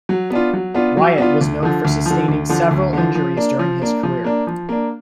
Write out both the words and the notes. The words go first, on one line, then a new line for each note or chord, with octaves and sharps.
Wyatt was noted for sustaining several injuries during his career.
F#3
B3 D4 F4
F#3
B3 D4 F4
F#3
B3 D4 F4
D2
D3 F3
D2
D3 F3
D2
D3 F3
D2
D3 F3
F3
A#3 D4
F3
A#3 D4
F3
A#3 D4
F3
A#3 D4